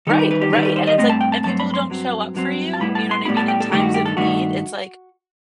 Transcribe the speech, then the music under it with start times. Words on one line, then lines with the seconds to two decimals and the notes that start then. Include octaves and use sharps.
Right, right, and it's, like and people who don't show up for you, you know what I mean, in times of need, it's, like,
0.07 D#3 G3 D#4 A4
0.19 B4
0.31 B4
0.41 G4
0.53 D#3 G3 D#4 B4
0.65 B4
0.76 C5
0.87 D#5
0.98 G2 F#3 A3 C4 D#5
1.10 A5
1.21 G5
1.32 A5
1.44 G2 F#3 A3 C4 A5
1.60 B5
1.74 C6
1.90 G2 F#3 C4
2.34 G2 F#3 C4
2.73 A5
2.80 A2 G3 B3 E4 B5
2.95 A5
3.11 C6
3.25 A2 G3 B3 E4 B5
3.37 A5
3.48 G5
3.60 A4
3.72 G2 D#3 A3 G4
3.83 F#4
3.94 G4
4.05 A4
4.17 G2 D#3 A3 F#4